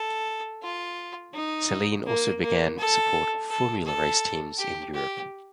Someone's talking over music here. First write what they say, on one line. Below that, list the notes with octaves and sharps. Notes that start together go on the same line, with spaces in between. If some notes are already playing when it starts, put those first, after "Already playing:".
Saleen also began support of formula race teams in Europe.
Already playing: A4
F4
D#4
A#3
A#3
A4
A4
A4
G4
G4